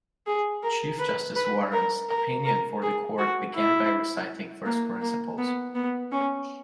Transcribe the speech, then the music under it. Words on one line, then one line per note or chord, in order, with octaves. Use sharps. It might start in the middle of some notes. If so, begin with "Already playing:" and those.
Chief Justice Warren's opinion for the Court began by reciting first principles.
G#4
A#4
B4
B4
A#4
A#4
A#4
G#4
F#4
E4
A#3
A#3
B3
B3
C#4